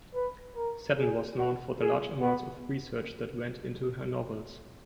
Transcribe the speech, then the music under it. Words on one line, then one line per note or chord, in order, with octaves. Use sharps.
Seton was known for the large amounts of research that went into her novels.
B4
A#4
G#4
F#4
G#4
B3